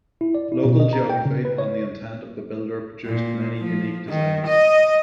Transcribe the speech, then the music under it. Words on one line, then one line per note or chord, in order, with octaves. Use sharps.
Local geography and the intent of the builder produced many unique designs.
E4
D5
E4
B2
D#5
A#5
G5
C#3
B4
C#5
A#2
F3
D#3
D#5